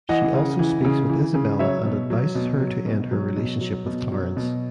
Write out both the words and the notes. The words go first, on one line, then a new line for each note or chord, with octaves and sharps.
She also speaks with Isabella and advises her to end her relationship with Clarence.
E3 D#5 F#5
C#3
E3
C#3
E3
C#3
F#3 C#5 E5
B2
F#3
B2
F#3
B2
F#3
B2
F#3
B2
F#3
B2